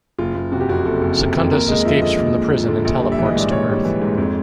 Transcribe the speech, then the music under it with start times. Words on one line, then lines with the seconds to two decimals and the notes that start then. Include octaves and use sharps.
Secundus escapes from the prison and teleports to Earth.
0.18 F#1 F4
0.35 F#1
0.52 C3 F#4
0.60 G4
0.69 F2 F#4
0.85 F#1 A4
1.02 F#1
1.19 C3
1.35 F2
1.52 D#2 A#4
1.68 G#3 D#5
1.85 F3 E5
2.01 D3 D#5
2.19 D#2
2.36 G#3
2.52 F3
2.68 D3
2.85 A#1
3.02 G3
3.12 E5
3.19 E3
3.25 D#5
3.36 G#2 D5
3.51 A#1 C#5
3.68 G3
3.85 E3
4.02 G#2
4.18 F2